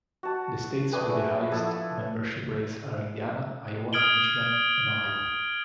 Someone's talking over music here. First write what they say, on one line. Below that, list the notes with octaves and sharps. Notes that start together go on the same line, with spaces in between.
The states with the highest membership rates are Indiana, Iowa, Michigan, and Ohio.
F#4 A5
A3 D4 G#4 B4
F3 E4 A4
D#6 F6 G#6 D7 F#7 G7